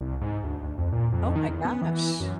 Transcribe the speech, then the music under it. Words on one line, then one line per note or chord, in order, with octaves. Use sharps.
Oh my gosh.
C2
G#2
D2
D2
F2
A#2
F2
D#3
E2
B3
E3
F#2